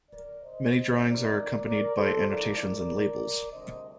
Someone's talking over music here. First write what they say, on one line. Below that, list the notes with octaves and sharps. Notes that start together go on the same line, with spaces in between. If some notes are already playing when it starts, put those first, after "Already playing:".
Many drawings are accompanied by annotations and labels.
A#4 D5
C5 D#5
F2 C3 D#3 A#3 D#4 A#4 D5
A#4 D5
A4 C5
A2 F3 A#3 D#4 A#4 D5
A#4 D5
D2 C3 G3 D4 C5 D#5